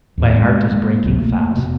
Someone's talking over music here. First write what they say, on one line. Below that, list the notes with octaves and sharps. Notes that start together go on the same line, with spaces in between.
My heart is breaking fast.'
D#2 A2 B3
G#3 A#3
G#3 A#3
G#1 C#2 B2 F#3
A3 A#3
F1 B2